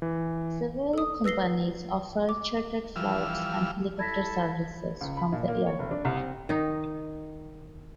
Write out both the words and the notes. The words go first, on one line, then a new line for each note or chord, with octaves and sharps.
Several companies offer chartered flights and helicopter services from the airport.
E3
A4 D#6
B4 E6 A#6 C7 G7
D6
E3 F3 G3 E6 F6
E4 A4 A5 G#6 A#6 B6
C#2
B5
A#2
A#3
C#5
F1
D4
C2
C4
D#3 D#4